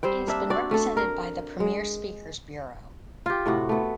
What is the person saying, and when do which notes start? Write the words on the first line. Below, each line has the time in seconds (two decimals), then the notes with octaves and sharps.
He has been represented by the Premier Speakers Bureau.
0.03 G3 C4 C5 G5
0.27 A#3 D4 E5
0.50 C4 F#4 D5
0.71 A3 A4
0.97 A#4
1.60 G#3
3.26 F4 G4
3.46 A2 C3 F#4
3.69 A3 B3